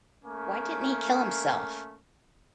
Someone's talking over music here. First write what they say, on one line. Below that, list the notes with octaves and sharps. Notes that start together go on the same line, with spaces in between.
Why didn't he kill himself!
A3 A#3 C#4